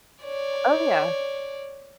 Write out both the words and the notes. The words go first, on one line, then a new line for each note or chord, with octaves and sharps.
Oh, yeah,
C#5 D5